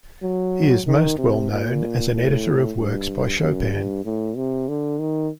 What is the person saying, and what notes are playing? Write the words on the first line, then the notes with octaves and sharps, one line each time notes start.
He is most well known as an editor of works by Chopin.
F#3
D#3
C3
A#2
A2
G2
F#2
G2
A2
C3
D3
D#3